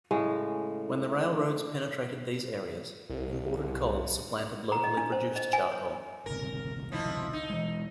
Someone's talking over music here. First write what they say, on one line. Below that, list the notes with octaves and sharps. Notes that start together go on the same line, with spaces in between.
When the railroads penetrated these areas, imported coal supplanted locally produced charcoal.
A2 C#3 G#3
C2
A#5
D#5
D4
C5
D#5
G#5
C#5
G#1 C#2 C3 A#4
F3 D#4 E4
D#4
E3 G#3